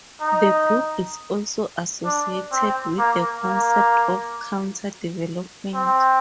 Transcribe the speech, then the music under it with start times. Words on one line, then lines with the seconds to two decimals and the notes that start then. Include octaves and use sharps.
The group is also associated with the concept of Counter-development.
0.21 D#4
2.05 D4
2.51 C4
2.98 A#3
3.43 A#3
5.74 C4